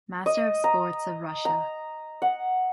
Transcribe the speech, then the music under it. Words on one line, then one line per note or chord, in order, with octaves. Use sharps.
Master of Sports of Russia.
D#5
A#5
A#5
F#5